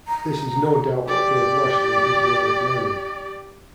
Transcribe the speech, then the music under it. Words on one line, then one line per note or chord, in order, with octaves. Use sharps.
This is no doubt what gave Lashley his love of learning.
A#5
G4 D5